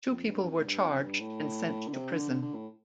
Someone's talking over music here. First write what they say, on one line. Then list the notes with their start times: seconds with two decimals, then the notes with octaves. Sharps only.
Two people were charged and sent to prison.
0.11 F2
0.30 G2
0.43 G2
0.48 F2
0.57 A2
0.65 G2
0.85 F2
0.98 F2
1.02 G2
1.21 A2
1.88 D3
1.93 C3
2.12 D3
2.30 D3
2.42 D3
2.55 A2